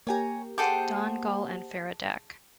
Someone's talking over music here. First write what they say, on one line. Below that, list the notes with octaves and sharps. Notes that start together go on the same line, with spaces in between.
Donngal and Feradach.
A#3 G4 C#5 G#5 A#5
G#4 A4 C5 F#5 G5 D6